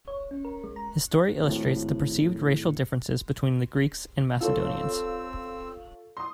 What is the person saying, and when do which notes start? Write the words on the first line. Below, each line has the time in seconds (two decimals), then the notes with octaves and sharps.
His story illustrates the perceived racial differences between the Greeks and Macedonians.
0.08 C#5
0.31 C#4
0.45 A#4
0.64 G#3
0.76 A#5
1.43 G#1 A2
4.40 C4 F4 A4 C#5 E6
6.17 C6 D#6